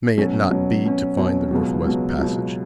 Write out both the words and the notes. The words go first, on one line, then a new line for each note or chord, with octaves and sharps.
May it not be to find the North-West Passage?
B2 F#3 C#4
B2 F#3 C#4
B2 F#3 C#4
B2 F#3 C#4
C#2 B2 F#3
C#2 B2 F#3
C#2 B2 F#3